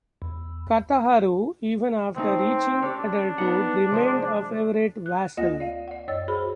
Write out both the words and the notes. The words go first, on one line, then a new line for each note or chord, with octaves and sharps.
Kataharu, even after reaching adulthood, remained a favorite vassal.
E2
C#2 A3 C4 D#4
C#4 D4 G4
B3 D#4 F#5
C3 F3 G#3
F#6
D2 A#3 F4 D#5 F#5 A#6
D5 F5
D5 F#5
F#2 C#5 D#5 E6 A6
F#4 G#4 C5 B5